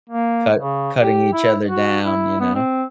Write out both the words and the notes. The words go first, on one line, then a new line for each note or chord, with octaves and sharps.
cut cutting each other down, you know?
A#3
C#3
G4
E4
F#4
E4
B3
C4